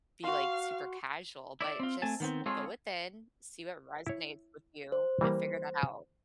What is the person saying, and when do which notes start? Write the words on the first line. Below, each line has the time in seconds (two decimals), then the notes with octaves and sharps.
be, like, super casual, but just go within, see what resonates with you, and figure that out.
0.24 F#4 F5 C6
1.61 E4 D5
1.80 C4 F4
2.02 A3 C4 G#5 A5
2.20 D#3 B3 C4
2.46 G#3 C4 F4 G#4 A4 C#5
4.07 E4 C#5
4.92 C5
5.21 E3 G3 A#3